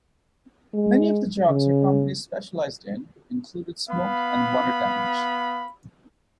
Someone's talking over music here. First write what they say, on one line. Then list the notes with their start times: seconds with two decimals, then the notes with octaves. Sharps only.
Many of the jobs her company specialized in included smoke and water damage.
0.74 G#3
1.48 C#3
3.89 B3 F5 B5